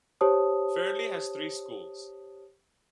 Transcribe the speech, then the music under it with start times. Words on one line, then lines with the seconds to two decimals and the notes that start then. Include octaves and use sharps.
Fairlie has three schools.
0.21 G4 C5 C#5 A5 D#6